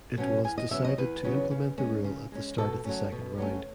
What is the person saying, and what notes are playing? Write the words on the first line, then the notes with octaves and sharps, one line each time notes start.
It was decided to implement the rule at the start of the second round.
B2 F#3 C#4
E2 G#5
D#5
C#3 F#3 B3 E5
D#5
E2 B4
C#3 F#3 B3
C#3
G#3 C#4
C#3
G#3 C#4
B2 A4
F#3 A3 C#4
B2
F#3 A3 C#4